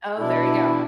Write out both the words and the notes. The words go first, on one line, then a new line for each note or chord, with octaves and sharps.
Oh, there you go.
B2 D4 E4